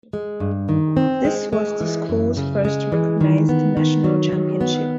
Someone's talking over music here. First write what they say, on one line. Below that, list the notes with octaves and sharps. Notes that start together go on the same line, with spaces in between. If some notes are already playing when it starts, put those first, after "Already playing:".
This was the school's first recognized national championship.
G#3
G2
D#3
C4
G#3
G#3
E3
F#2
C#3
G#3
E3
D#3
B3
D#3
F#3
D#3
B3